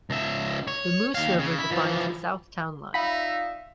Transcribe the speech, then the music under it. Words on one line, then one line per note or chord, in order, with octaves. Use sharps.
The Moose River defines the south town line.
C#2 E5
C#5
D#2 F5
C#3
E4
E3 F3
D#4 F4 D5 E5 F5 B5